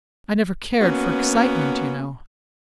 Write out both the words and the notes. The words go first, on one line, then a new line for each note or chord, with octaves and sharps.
I never cared for excitement, you know.
A#3 B3 C#4 F#4